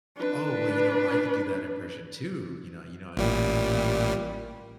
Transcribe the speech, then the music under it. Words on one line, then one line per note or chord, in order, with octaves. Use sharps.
"Oh, well, you know, I can do that impression too. You know you know, I can definitely
D4 B4
A1 A#2 G3